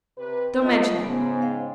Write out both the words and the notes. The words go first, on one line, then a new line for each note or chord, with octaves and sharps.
Don't mention it.
C3 B4
A3 F4 D#5
G#2 C#3 B3 C5 G#5
C5 F5 G5